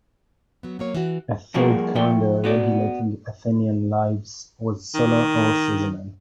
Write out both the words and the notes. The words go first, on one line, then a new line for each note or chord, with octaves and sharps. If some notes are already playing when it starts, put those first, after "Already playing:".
A third calendar regulating Athenian lives was solar or seasonal.
F#3 B3
F#3 A#3 C#5
E3 F#4
F3 G3 A#3 F#4 G#4 A#4
F3 A3 G5
B3 F#4 D5
D#3